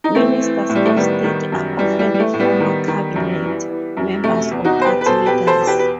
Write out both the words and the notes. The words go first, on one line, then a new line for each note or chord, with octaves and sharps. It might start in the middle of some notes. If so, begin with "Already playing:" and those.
Ministers of state are often former cabinet members or party leaders.
D#4
E3 A3 C4
E3
A2
G3
A3
D#3 G3 B3
D#3
F#2
E3 G3
G3
E3
G3
A3
A2
G3 B3
D#3
D#3
F#2
E3
E3
F#2
C3 A3
E2
D#4 F#4
E2 C5
G4 B4
B4
B2 A4 C5
G4 B4
B2
A4 C5
E2
G4 B4
B4